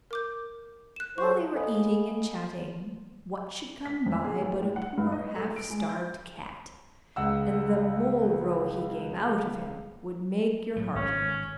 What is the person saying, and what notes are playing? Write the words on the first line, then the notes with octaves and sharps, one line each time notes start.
While they were eating and chatting, what should come by but a poor half-starved cat, and the moll-row he gave out of him would make your heart ache.
A#4 D6 G6
F#6 E7
F#3 C5 C#6
A4 D#5 F5 G#5 B5 D#6
B6
F2
G#4
A1
A2
F#5
G2
D#5
A4
D7
G#3
G6
C#2 F#5 E6
A2 F#3
G#1 C#4